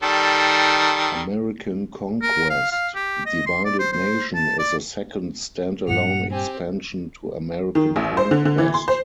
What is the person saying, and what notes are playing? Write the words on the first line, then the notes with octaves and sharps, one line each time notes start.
American Conquest: Divided Nation is the second stand-alone expansion to American Conquest.
D#3 G3 A4
A#4
F5
F5
G4
D#5
C6
D5
C5
C5
A5
D5
G2 A#2 F#5 F7
C4 G4 G#5
D#3
A1
C5
D3
D3
E3
C6
C5